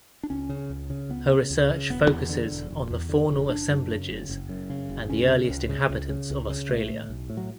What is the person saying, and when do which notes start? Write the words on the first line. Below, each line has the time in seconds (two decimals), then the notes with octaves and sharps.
Her research focusses on the faunal assemblages and the earliest inhabitants of Australia.
0.23 D4
0.30 C#2 C#4
0.49 C#3
0.70 C#2
0.90 C#3
1.09 C#2 B3
1.31 C#3
1.50 C#2
1.70 C#3
1.90 E1 B3
2.10 E2
2.29 D3
2.50 E1
2.71 E1
2.91 E2
3.09 D3
3.29 E1
3.49 F#1 D4
3.70 F#2
3.90 C#3
4.09 F#1
4.29 F#1
4.49 F#2
4.70 C#3
4.90 F#1
5.10 C#2 C#4
5.29 C#3
5.50 C#2
5.69 C#3
5.90 C#2
6.09 C#3
6.30 C#2
6.49 C#3
6.69 B1 A3
6.90 A2
7.09 B1
7.30 A2
7.37 F#3